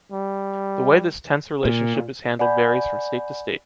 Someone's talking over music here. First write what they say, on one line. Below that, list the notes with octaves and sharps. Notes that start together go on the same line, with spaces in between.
The way this tense relationship is handled varies from state to state.
G3
A#2
D5 F#5 G#5 B5 G6